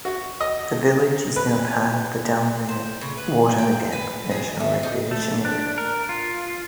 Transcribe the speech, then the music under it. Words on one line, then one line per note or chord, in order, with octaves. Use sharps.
The village is now part of the Delaware Water Gap National Recreation Area.
F#4
D#5
B4
C5
C#3
B4
G5
B4
G#4
A3
D#4
A3
D4
A#4
F4